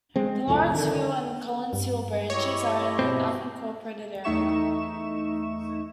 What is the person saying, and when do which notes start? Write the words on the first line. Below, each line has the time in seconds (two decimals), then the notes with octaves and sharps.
The Lawrenceville and Collins Hill branches are in an unincorporated area.
0.16 G#3 C4
0.48 C2 F2 A2 A3
0.74 D3 D#3
1.73 G2
2.30 E4 G4 C#5 D#5
2.99 B2 C4
4.24 E2 A3 D#4 E5 C#6 E7